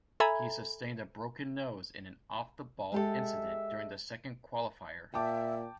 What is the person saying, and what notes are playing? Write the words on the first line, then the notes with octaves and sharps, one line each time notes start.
He sustained a broken nose in an 'off-the-ball' incident during the second qualifier.
A4 E5 G#5 A#5 B5 G#6
G#3 G4 A4 E5
A#2 E5 G5 A5 D6